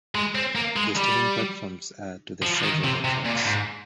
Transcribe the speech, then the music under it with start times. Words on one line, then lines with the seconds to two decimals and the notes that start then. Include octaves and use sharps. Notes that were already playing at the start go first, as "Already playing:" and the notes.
The station platforms are to the sides of the tracks.
0.15 G#3
0.35 C4
0.56 A#3
0.77 G#3
0.97 G3
2.42 F3
2.63 D#3
2.84 C3
3.04 C3
3.25 A#2
3.46 G#2